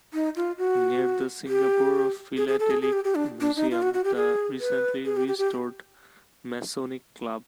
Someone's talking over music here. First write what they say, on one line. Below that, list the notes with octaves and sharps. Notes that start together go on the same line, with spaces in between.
Near the Singapore Philatelic Museum, the recently restored Masonic Club.
D#4
F4
F#4
G4
G#4
G#4
A4
G#4
G#4
G4
G4
D4
D4
D#4
F4
F#4
F#4
G4
G#4
B4
G#4
G4
G4
G4